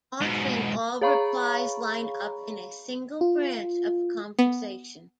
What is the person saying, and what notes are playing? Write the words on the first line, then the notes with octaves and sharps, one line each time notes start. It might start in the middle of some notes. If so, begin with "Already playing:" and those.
Often all replies line up in a single branch of a conversation.
G#2 B2
G#4 C#5 F5 A#5 B5 C#6
F4
B3